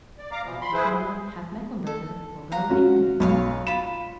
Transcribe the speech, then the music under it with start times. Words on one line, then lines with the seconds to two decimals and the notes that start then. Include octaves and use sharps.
"Half Norman, half Mecklenburger; will go night and day."
0.18 D5
0.32 F5 A#5 D6
0.45 B2 E3 F3 B3
0.61 B5 C6
0.73 E4 G#4 B4 C5
1.87 A4
2.52 F5 F#5 A#5
2.70 C#4 F#4
3.20 B1 B4 C#5 F5
3.67 F4 B5 E7